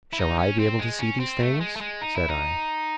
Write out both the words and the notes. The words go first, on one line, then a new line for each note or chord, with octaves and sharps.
"Shall I be able to see these things?" said I.
E4
D#4
C#4
C4
G#3
C#4
C4
A3
G#3
A3
G#3
D#4
E4
D#4